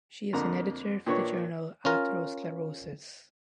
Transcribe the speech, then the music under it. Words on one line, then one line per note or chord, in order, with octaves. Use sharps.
She is an editor for the journal Atherosclerosis.
F2 D3 A#3 A#5
A#2 D#3 D4 B4 C#5 C#6
C#4 F4 A#4